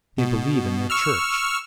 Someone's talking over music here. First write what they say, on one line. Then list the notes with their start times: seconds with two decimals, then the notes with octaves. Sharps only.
They believe in their church.
0.18 B2
0.90 C#6 E6 F6